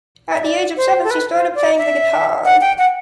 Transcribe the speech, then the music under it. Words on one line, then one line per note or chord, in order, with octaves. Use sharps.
At the age of seven she started playing the guitar.
E5
D5
C5
A4
B4
C5
D5
E5
F#5
G5
F#5